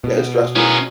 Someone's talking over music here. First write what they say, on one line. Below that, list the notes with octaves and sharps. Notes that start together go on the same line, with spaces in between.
Yeah, that's stress
B2
B3 C#4 E4 G#4 A#4